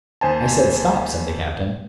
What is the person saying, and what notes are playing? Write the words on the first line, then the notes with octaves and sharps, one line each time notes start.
"I said, 'Stop,'" said the Captain.
D#2 C5 G#5 A5